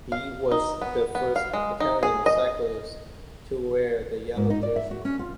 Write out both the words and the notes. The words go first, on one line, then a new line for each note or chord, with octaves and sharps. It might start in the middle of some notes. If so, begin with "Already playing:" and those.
He was the first Italian cyclist to wear the yellow jersey.
F5
D#4
B3
B3
F5
G#3
D#4
G#4
D#5
G#2
D#4
D5
E5
F#4
C#4
F4